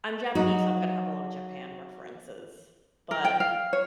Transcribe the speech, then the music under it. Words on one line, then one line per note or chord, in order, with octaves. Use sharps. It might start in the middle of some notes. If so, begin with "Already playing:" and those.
I'm Japanese, so I'm gonna have a lot of Japan references, but,
F#3 D#4 F#4
A#4
G5
F5
C#5